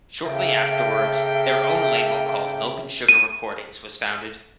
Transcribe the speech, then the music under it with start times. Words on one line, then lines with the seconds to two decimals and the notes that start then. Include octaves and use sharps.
Shortly afterwards, their own label called Milk and Sugar Recordings was founded.
0.24 C#3 A#3 A4 E5 G5
3.09 D#7